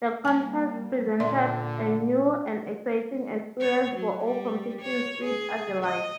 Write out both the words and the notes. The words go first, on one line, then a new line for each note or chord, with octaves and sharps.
The contest presented a new and exciting experience for all competing Sweet Adelines.
G3 A#3 G#5 A5
A#2 D3 D5 E5 C6
C#5
F#3
G3
C#5
G#4
D#5